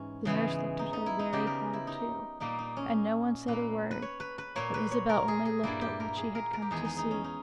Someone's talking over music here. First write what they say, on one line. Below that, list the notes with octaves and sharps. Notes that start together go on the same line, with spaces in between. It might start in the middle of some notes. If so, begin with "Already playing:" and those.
The nurse looked at her very hard too, and no one said a word; but Isabel only looked at what she had come to see.
Already playing: G#2 E3 C#4
C#3 E3 G#3 B3
D#4
D#4
E4
D#4
C#3 G3 B3 G4
A#4
E4
D#4
A#2 G3 A#3 D#4
D#4
C#4
A#2 A#3 B4
B4
C#5
B4
B4
A#2 A#3 C#5
B4
C#5
A#4
G#4
G#4
G2 G3 A#3 E4
G4
A#4
G#4
A#4
A#4
G4
E2 D#3 G#3 B3 G#4
D#4
D#4
C#4
D#4